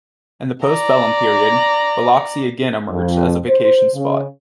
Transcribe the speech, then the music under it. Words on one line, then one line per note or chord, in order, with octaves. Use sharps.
In the postbellum period, Biloxi again emerged as a vacation spot.
D5 A#5
F2
C5
C#3